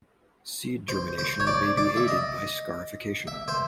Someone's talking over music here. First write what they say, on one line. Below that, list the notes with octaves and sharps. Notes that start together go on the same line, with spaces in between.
Seed germination may be aided by scarification.
C5
C5
C#5
D5
D5
E5
D#5
E5
C5